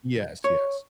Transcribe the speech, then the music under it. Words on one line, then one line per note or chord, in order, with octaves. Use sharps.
Yes, yes.
C#5